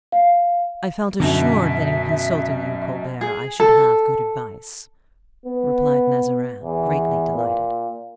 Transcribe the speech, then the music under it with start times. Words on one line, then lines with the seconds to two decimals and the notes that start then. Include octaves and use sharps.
"I felt assured that in consulting you, Colbert, I should have good advice," replied Mazarin, greatly delighted.
0.12 F5
1.20 F#2 B2 D3 E5
3.21 G#4
3.60 A4
5.46 B3
6.62 E2
7.35 A#2